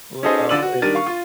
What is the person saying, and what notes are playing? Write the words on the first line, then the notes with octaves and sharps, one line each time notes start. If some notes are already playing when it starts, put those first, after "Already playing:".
Well, it
C#4 D#4 G#4 A4 C5 D#5
D3 F4 D5 E6 D#7 F#7
F#4
D#3 G3 D4 A#4 A6 D#7
F5 C#6
F4